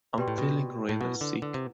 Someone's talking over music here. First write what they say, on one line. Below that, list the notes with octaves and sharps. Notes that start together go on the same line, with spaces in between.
I'm feeling rather sick!
B2 G4 B4 D5 G5 C6
A2
B2
A2
B2 E4 B4 F#5
D3
D3
C3